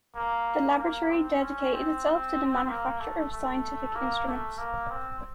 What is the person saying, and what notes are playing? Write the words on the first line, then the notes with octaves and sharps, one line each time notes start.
The Laboratory dedicated itself to the manufacture of scientific instruments.
A#3
A#3
C4
C#4
C4
A#3
A3
A3
A#3
A3
A#3
C4